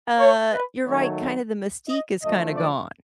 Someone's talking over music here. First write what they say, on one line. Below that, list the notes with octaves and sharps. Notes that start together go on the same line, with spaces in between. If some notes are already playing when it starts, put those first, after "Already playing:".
Uh, you're right, kind of the mystique is kinda gone.
C#5
B4
D#3 F#3 A3 C#5
D#5
D3 F3 A3 D#5
D5